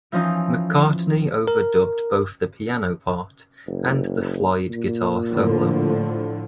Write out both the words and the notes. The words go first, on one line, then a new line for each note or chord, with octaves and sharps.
McCartney overdubbed both the piano part and the slide guitar solo.
E3 F3 C#4 D#4 F4
A#4
F#1
A#2
A2 D3 F3